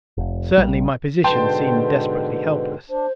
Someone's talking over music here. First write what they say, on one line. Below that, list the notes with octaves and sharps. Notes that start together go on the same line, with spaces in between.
Certainly my position seemed desperately helpless.
F1
A#1 G3
G#2 B2 D3 B4 G5 A5 C6
D4 C5